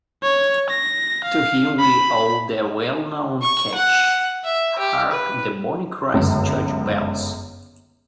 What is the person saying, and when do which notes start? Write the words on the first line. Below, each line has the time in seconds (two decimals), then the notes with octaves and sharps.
To him we owe the well-known catch, Hark, the bonny Christ Church bells.
0.23 C#5
0.70 A#6
1.24 F5
1.80 B5
3.42 C#6
3.75 F#5
4.45 E5
4.79 G4
5.11 B4
6.14 G1 C#2 F#2